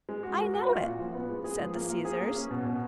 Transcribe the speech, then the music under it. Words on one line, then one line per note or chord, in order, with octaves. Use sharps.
"I know it," said the scissors.
G#3
F#4
A#4
F#4
F4
A#2
F3
B3
G#3
G#4
F3
A#3
A#3
G#4
A#3
C#4
B2
B2